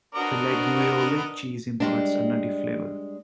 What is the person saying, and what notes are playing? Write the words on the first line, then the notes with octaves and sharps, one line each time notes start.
The Laguiole cheese imparts a nutty flavour.
B3 D4 F#4 A#4 C5 D#5
G3 G#3 D4